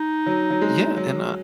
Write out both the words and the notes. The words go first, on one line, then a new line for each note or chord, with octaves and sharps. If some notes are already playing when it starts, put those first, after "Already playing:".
Yeah, and, uh
Already playing: D#4
F#3
F#3
G#3
F#3